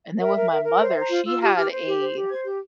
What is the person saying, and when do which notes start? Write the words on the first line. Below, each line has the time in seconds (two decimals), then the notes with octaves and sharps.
and then with my mother, she had a
0.20 A#4 E5
0.36 A#4
0.51 A#4
0.65 A#4
0.81 C5 C#5
0.90 E5
0.95 C5
1.01 A#5
1.10 F4
1.26 F4 E6
1.40 G4 F6
1.55 G4 F6
1.71 C5
1.85 G4
2.00 C5
2.15 G4
2.30 C5 G#6
2.45 G4 G6